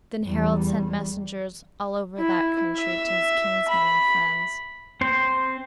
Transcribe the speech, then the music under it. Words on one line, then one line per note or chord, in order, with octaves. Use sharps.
Then Harald sent messengers all over that country to his kinsmen and friends.
E2 G3
E4
E5
B5
C4 C5